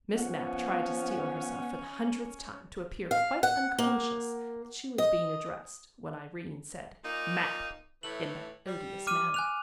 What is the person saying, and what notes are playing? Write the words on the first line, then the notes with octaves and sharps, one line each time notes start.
Miss Mapp tried to steel herself for the hundredth time to appear quite unconscious that she was being addressed when Irene said "Mapp" in that odious manner.
F3 B3 C#4 F#5
F5
F#5
A#3
D#5
A#2 A#3 D#4
A2 E3 A3 F#7
G3
D6 F6 D#7
G#5 F#6 F7